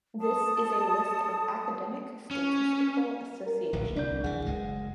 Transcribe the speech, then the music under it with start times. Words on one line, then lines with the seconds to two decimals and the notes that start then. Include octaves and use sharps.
This is a list of academic statistical associations.
0.19 A4 A5 D#6
2.31 C#4
3.47 A#4
3.73 D1 A#1
3.96 C2 D4 D5 G6
4.24 C#2 E3 G#4 F#5
4.46 F#1 G#3